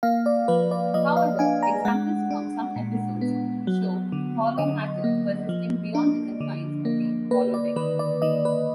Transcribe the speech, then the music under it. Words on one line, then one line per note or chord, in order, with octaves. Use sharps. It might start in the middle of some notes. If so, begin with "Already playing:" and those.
However, examples from some episodes show holomatter persisting beyond the confines of the holodeck.
A#3 F5
D5
F3 B4
D5
F3 D#5
F5
D4 G#5
A#5
G#3 F#5
D4
A#2
B3
F#3
D3
D3 D#5
A#3
F3
D4
D3
A#3
A#3 B4
D5
D#3 B4
D5
D#3 D#5
B4